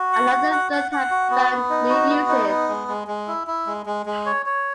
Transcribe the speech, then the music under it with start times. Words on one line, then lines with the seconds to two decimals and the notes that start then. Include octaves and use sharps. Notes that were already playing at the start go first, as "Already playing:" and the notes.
Another third have found new uses.
Already playing: F#4
0.13 F#5
0.32 F#4
0.52 F#5
0.72 F#5
0.91 F#5
1.11 F#4
1.31 B3
1.50 B3
1.70 D#4
1.90 F#4
2.10 B3
2.29 D#4
2.49 B3
2.68 G#3
2.88 G#3
3.08 G#3
3.28 E4
3.47 E4
3.67 G#3
3.86 G#3
4.06 G#3
4.26 C#5
4.46 C#5